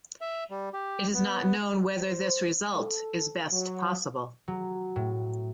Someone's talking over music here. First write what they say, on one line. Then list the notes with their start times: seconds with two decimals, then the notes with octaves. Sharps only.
It is not known whether this result is best possible.
0.21 E5
0.51 G3
0.73 G4
1.14 B3
1.99 C5
2.74 A4
3.52 F#3
4.48 F#3
4.96 A2